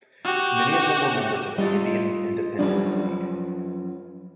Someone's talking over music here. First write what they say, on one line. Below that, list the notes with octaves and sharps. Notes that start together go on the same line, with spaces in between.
Many of them were members of the Indian Independence League.
F#4 G4
G3 F4 D#5
F#2 F3 G3 D4 B4